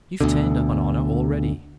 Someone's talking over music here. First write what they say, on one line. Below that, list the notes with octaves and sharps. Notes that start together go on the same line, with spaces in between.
You've turned up an honor already.
D2 B2 D3